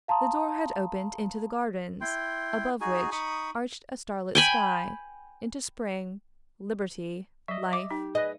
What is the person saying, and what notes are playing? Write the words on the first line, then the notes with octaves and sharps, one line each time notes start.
The door had opened into the gardens, above which arched a starlit sky, into spring, liberty, life!
F5 A5 A#5 C6 D#6
E4 G5 C6
D#4 F#4 G#4 G#5
D#4 B5 C#6 D#6
G5 G#5 B5
F#3 D#5 E5
D6
D#4 G4
G#4 B4 D#5